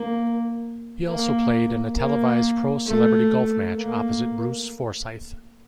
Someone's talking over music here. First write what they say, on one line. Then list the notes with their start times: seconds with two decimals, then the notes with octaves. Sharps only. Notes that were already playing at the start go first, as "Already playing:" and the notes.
He also played in a televised pro-celebrity golf match opposite Bruce Forsyth.
Already playing: A#3
1.07 A#3
1.96 A#3
2.86 A3
3.76 A#3